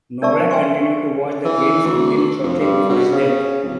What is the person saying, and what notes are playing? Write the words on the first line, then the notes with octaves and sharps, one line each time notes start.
Nowak continued to watch the games until shortly before his death.
D4 A#4 D5 E5 A5 C#6
B4 E5 G5 G#5 C6 C#6
E3
D2
F2
G2
B2
C#3
D1